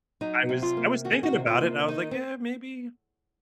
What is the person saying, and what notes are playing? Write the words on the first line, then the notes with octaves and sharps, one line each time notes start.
I was I was thinking about it, and I was like, "Yeah, maybe.
F#3 D#4
C3
F4
A#3
D#3 F#4
G#4
F#4
C3
F4
A#3
D#3 D#4
C4